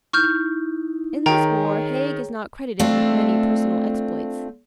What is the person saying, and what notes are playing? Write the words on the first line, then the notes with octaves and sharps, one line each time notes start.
In this war, Haig is not credited with many personal exploits.
D#4 E4 C#6 F6 G6
D#3 G#4 C#5 G5 A#5
A3 C4 D4 F4